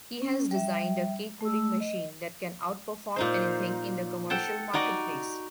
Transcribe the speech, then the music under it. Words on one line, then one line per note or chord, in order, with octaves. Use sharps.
He has designed a cake-cooling machine that can outperform anything in the commercial marketplace.
C#4
G3 E5
A3 E6
D#5
A#2 D#4 C5
A4 F#5 G5 A5
D#4 F#4 D5 D#5